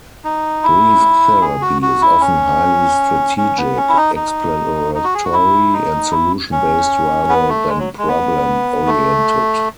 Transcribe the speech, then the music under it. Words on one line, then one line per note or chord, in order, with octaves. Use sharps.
Brief therapy is often highly strategic, exploratory, and solution-based rather than problem-oriented.
D#4
E4
G#4
F#4
F#4
E4
C#4
C#4
B3
C#4
E4
D#4
D#4
D#4
F#4
G#4
F#4
E4
D#4
E4
C#4
B3
A3
G#3
F#3
G#3
B3
A3